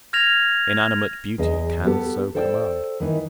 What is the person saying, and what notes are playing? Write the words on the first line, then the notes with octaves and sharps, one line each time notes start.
Inanimate beauty can so command.
F6 G#6 A#6 F7
E2 G#4 D#5
B3 G4 A4
A4 C5 D5 G5
D#3 E3 D#4